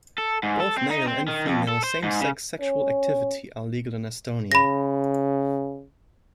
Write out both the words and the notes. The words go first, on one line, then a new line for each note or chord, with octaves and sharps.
Both male and female same-sex sexual activity are legal in Estonia.
A4
G#2
A4
C4
D#4
C4
D#3
F2
A4
C5
G#2
C#3
C#4
C#3 B5 A#6